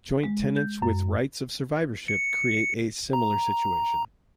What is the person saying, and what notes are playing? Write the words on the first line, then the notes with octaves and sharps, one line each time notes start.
Joint tenants with rights of survivorship create a similar situation.
G#3
G6
F#2
C#7
A#5